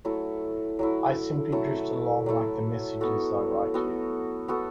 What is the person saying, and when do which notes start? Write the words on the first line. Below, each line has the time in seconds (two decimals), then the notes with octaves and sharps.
I simply drift along like the messages I write you.
0.05 F#3 A3 E4
0.79 F#3 A3 E4
1.52 F#3 A3 E4
2.26 F#3 A3 E4
3.01 B3 F#4 A4
3.74 B3 F#4 A4
4.48 B3 F#4 A4